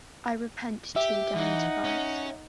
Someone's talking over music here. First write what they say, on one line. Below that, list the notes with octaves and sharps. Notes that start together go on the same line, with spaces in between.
I repent too damned fast.
G4 E5
E3 D#4 F#5
C#4 C#5